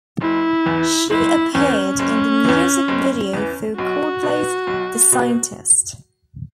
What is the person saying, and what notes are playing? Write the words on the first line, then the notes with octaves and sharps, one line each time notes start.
She appeared in the music video for Coldplay's "The Scientist".
F#1 E4
E2 E3
F#1 E4
E2 E3 C#4
F#1
E2 E3
F#1
E2 E3
B1 F#4
B2 B3
B1
B2 B3